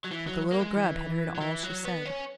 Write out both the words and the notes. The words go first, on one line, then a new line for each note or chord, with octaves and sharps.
But the little Grub had heard all she said.
F#3
E3
F#3
A#3
G#3
E3
F#3
E3
F#3
B3
C#4